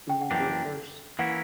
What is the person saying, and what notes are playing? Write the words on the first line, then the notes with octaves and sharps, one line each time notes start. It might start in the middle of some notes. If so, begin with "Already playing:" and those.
Who will go first?
G5
F#5
F#2 E3 A#3 D4 G4 G5
E3 A#3 C#4 E4 F#5